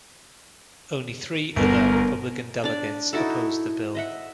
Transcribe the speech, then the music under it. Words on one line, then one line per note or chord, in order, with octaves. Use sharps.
Only three other Republican Delegates opposed the bill.
G1 B3 A#4
D4 D5
D#4 E4 F#4 A4
D#5 E5 F#5